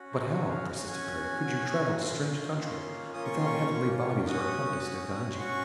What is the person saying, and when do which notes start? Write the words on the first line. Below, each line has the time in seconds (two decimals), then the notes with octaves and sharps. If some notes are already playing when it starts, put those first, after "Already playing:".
"But how," persisted Perry, "could you travel to strange country without heavenly bodies or a compass to guide you?"
Already playing: C#4 F#4
0.12 C5
0.25 C5
0.32 C#4 F#4 C#5
0.50 F5
0.88 C#4 F#4 G#5
1.44 C#4 F#4
2.01 A#3 C#4 F4 C6
2.58 A#3 C#4 F4
3.13 A#3 C#4 F4 D#6
3.25 C#6
3.35 C6
3.46 C#6
3.71 A#3 C#4 F4
4.26 C#4 F#4 D#6
4.83 C#4 F#4
5.35 C6
5.39 C#4 F#4 C#6